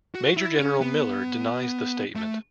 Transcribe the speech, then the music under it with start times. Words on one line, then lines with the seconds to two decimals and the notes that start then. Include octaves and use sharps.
Major General Miller denies the statement.
0.15 F#4
0.37 E4
0.59 C#4
0.81 B3
2.15 A3